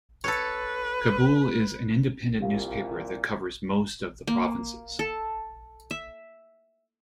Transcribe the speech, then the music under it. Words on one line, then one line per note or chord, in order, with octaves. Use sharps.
Kabul is an independent newspaper that covers most of the provinces.
A4 B4 C#5
C2 A#2 G4 F5
A#3
A4
E5